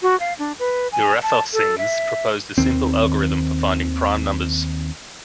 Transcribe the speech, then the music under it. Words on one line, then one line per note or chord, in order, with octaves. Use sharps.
Eratosthenes proposed a simple algorithm for finding prime numbers.
F#4
F5
D4
B4
G#5
A5
A4
E5
D#2 D#3 C4